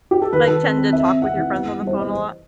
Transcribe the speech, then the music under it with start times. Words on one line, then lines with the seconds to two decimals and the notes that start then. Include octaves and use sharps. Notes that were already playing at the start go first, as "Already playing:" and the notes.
like tend to talk with your friends on the phone a lot?
0.11 G4
0.22 A4
0.33 D#3 B4
0.47 D#3 A4
0.63 C4
0.77 C4
0.92 C4 E5
1.07 C4
1.22 C4 F#5
1.37 E3
1.52 B3
1.66 E3
1.81 G3
1.87 C5
1.96 B3 D#5